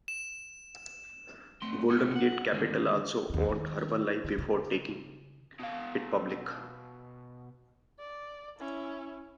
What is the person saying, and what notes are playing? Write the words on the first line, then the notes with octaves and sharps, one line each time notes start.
Golden Gate Capital also owned Herbalife before taking it public.
E7
A3 B3 C4 C6
G#3 B3 D#4 G4
F#5
D3 D#3 G#3 D4
D#2 C#4
D#3
D3
C#3
B2 F5
D5
C#4 E4